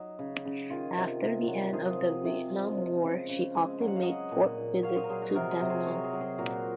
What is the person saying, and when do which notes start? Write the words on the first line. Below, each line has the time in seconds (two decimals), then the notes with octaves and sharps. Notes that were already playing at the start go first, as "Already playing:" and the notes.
After the end of the Vietnam War, she often made port visits to Danang.
Already playing: F#3 D#4
0.19 C#3
0.45 C#3
0.70 D#3 F4 G#4
0.97 C3
1.22 C3
1.47 F#3
1.73 F3 F4 G#4
2.00 C3
2.25 C3
2.51 G#3
2.77 F3
3.02 C#3
3.29 C#3
3.55 G#3
3.80 F#3 G#5
3.88 F#5
3.96 F5
4.03 F#3 D#5 F#5
4.31 A#2
4.57 A#2
4.83 F#3 C#5 F5
4.96 C5 D#5
5.04 A#4
5.09 F#3 G#4 C5
5.22 F#4 A#4
5.35 C3 F#4 A#4
5.52 G#4 C5
5.62 C3
5.70 G#4 C5
5.86 F#3 A#4 C#5
5.98 A#4
6.04 G#4 C5
6.13 F#3
6.21 G#4 C5
6.38 A#2 F#4 A#4